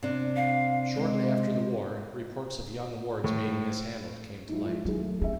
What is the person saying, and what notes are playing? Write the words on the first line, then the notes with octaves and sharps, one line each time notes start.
Shortly after the war, reports of young wards being mishandled came to light.
C3 D4
F5
G#3
A2
G#2 F#3 E4
F3 G#3 E4
D#3 F#3 F#4 G#4
A3
C4 C#4 G#4 E5